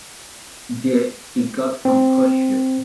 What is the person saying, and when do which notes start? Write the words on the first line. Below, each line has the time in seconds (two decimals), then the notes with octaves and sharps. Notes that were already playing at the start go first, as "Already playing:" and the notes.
There he got unconscious.
1.85 C4